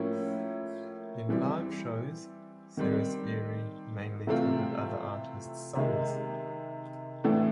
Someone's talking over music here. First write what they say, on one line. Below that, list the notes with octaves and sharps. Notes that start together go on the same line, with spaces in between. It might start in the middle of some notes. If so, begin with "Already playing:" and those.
In live shows, Cyrus Erie mainly covered other artists' songs.
Already playing: A2 F3 A#3 C#4 E4
E3 G3 C4 E4
D#3 G3 C4
C3 E3 A3 C4 F4
C3 D#3 G#3
A2 E3 A3 D4